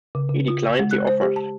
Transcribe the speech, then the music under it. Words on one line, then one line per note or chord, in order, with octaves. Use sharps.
He declined the offers.
C#3
C#3
F4
G#3
F#6
C5
G4
A5